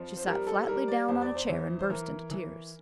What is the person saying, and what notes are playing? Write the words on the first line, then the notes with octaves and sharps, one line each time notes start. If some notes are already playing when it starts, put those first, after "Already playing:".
She sat flatly down on a chair and burst into tears.
Already playing: F2 F3
C5
G3 A#4
A4
G3 A#4
D5
E2 C5
D5
C5
E3
C5
E3 A#4
E3